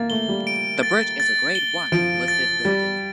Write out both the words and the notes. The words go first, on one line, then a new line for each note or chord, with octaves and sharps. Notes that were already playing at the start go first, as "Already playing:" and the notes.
The bridge is a grade one listed building.
Already playing: A#3 A6
A3 G7
G3
D7
A6
A6
G7
F3 D7
A6
G3 A6